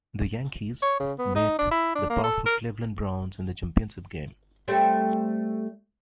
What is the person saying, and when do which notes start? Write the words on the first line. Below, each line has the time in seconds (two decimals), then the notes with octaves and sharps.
The Yankees met the powerful Cleveland Browns in the championship game.
0.82 C#5
1.00 C#3
1.19 B3
1.36 D#4
1.59 D4
1.71 E4
1.95 D4
2.10 A#3
2.24 A4
2.46 A#4
4.68 G3 A3 C4